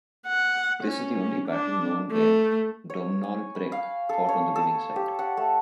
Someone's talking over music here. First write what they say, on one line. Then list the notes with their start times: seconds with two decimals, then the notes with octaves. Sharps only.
This is the only battle known where Domnall Brecc fought on the winning side.
0.27 F#5
0.84 C#4
1.49 D4
2.12 A3
2.90 C#5
3.23 G#5
3.55 B5
3.72 F5
4.09 A4
4.29 C#5
4.56 A4
4.96 G4
5.19 F#5
5.37 A3